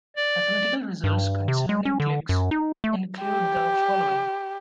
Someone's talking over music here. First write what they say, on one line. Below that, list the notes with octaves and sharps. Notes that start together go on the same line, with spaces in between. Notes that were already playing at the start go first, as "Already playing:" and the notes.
Mathematical results concerning cliques include the following.
D5
G2
C3
G#3
C#4
D3
F#2
D#4
A3
G4